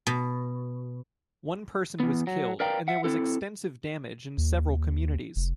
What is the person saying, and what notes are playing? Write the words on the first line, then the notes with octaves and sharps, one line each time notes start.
One person was killed and there was extensive damage in several communities.
B2
E3 B3
F#3
A#4 B4 D5 F5 G5 A#5
E5 F#5
C4 E4 A4
D#2
F1